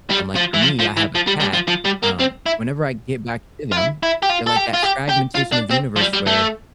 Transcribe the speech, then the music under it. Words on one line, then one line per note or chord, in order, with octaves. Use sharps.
um, like for me, I have a cat, um, whenever I get back to them, they're like that fragmentation of the universe where,
G3
F3
E3
F3
F3
E3
F3
G3
G3
F3
F3
G3
A#3
C4
E4
F4
E4
E4
G4
F4
A4
G4
F4
G4
G4
F4
D4
C4
F3
G3
G3
A3